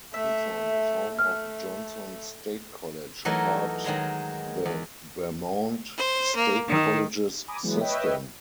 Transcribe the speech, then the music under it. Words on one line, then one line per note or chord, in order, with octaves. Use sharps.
Johnson is home of Johnson State College, a part the Vermont State Colleges system.
A3 E5
A3 F6
E3 F#3 A3 D#4 A#4
D#3 F#3 G#3 A#5
E2
C5
A#3
D#3
G#5 A#5 B5 D6 D#6
E3 F#3 G#3 B3
B4 C#5 D#5 E5 G5